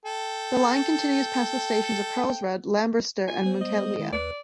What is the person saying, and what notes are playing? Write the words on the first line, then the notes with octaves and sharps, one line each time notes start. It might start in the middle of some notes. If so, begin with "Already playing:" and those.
The line continues past the stations of Karlsrud, Lambertseter and Munkelia.
A4 G5
F4 G#5
G3 B3 C5
D#5
D#3 G#3 E4
D#2 B4 D5